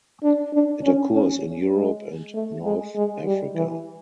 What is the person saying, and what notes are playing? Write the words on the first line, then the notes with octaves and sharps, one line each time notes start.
It occurs in Europe and North Africa.
D4
D4
C#4
C#4
G#3
A3
G#3
G#3
G3
E3